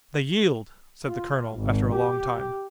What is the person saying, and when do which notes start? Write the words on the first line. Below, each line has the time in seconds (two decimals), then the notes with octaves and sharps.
"They yield," said the colonel, after a long time.
1.06 F4
1.56 G#1
1.95 G4